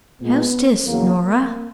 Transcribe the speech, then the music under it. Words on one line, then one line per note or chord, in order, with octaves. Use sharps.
"How's this, Norah?"
A#2 G#3 B3
E2 C#3 F#3 A#3
A#3